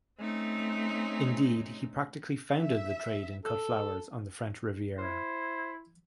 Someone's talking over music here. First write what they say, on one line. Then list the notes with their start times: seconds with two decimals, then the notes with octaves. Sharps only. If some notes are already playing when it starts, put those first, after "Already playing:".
Indeed he practically founded the trade in cut flowers on the French Riviera.
0.19 A3 C4 C#4 D#4
2.56 E5
3.45 A4
4.98 E4 C5